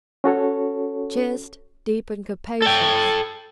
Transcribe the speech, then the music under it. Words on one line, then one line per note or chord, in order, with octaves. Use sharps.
CHEST--Deep and capacious.
C#4 F#4 A4 C#5
A4 G5